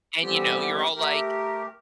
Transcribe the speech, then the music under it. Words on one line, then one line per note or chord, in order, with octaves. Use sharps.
and, you know, you're all, like
D3 E3 G3 B3 C4 G4
A3 G4 A#4